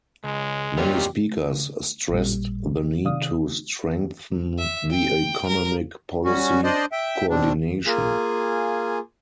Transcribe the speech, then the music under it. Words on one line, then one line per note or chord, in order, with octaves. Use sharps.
Many speakers stressed the need to strengthen the economic policy co-ordination.
C#2 G#3
A#2 F#3 G3 D#4 F4 G4
A1 A#2 G3
C3 D#3 D5 F5 D#6
E5
G5
A#4
G3 C#4 F#4
D4 C5 D5 D#5
E5 G5
B2 C4 D4
A#3 F4 G#4 G#5